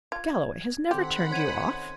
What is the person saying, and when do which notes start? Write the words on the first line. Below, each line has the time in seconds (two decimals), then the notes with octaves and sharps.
"Galloway has never turned you off!"
0.12 F4 G#6
0.91 D#3 C4 G4 A4 F#5 B5 C6
1.31 C#4 D#4 C5 C6 G#6 D#7